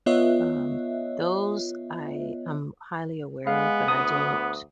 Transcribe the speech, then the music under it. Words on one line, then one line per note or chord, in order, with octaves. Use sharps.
Um, those I am highly aware of but I don't
B3 F4 C#5 D#5 E5
G#3 B3 F5
D2 D#6